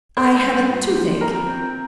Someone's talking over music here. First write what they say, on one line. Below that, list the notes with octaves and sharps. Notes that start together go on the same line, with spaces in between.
I have a toothache.
C4 C5 C6
G2
A#2
F3
C4 A#4 A#5
C4